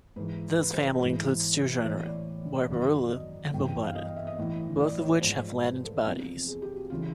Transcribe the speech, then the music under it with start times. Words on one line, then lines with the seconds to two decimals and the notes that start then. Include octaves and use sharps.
This family includes two genera, "Barbourula" and "Bombina", both of which have flattened bodies.
0.16 G#2 E3 B4
0.58 B4
0.73 C5
0.87 C5
1.01 G#2 E3
1.84 A2 E3 C#5
2.06 D5
2.70 F#2 D#3
3.11 D#5
3.53 G2 E3 G5
3.63 G5
3.85 F5
3.95 D#5
4.07 D#5
4.16 E5
4.27 D#5
4.38 A2 E3
4.80 D5
5.02 C#5
5.21 G#2 F3 C5
5.65 B4
5.85 A4
6.06 E2 C3 F3
6.48 G#4
6.62 G4
6.76 F#4
6.90 C#3 E3 F4